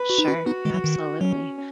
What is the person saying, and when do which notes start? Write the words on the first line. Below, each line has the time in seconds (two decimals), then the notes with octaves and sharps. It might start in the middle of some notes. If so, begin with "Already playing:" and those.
Sure, absolutely.
Already playing: B4
0.10 F#4
0.18 D#4
0.28 C#4 F#4
0.46 B3 D#4 F#4
0.65 D#3 G#3
0.74 F#3
0.84 D#3
1.21 F#3 C#4